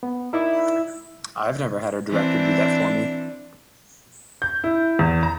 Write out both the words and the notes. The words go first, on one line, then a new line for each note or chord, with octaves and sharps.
I've never had a director do that for me.
B3
D#4 E4 A#4 D5
E3 C4 D4
G6
E4
E2
A#5